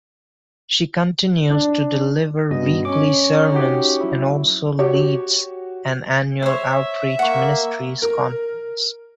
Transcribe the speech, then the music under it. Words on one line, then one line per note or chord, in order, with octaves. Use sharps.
She continues to deliver weekly sermons and also leads an annual outreach ministries conference.
D4
G2 B2 D#5
C#4 D6
D#4 F#4 G4
F#3 E4
F#4 G4 C#5
C5 C#5 E5
A#3 F#5 C#6
A#4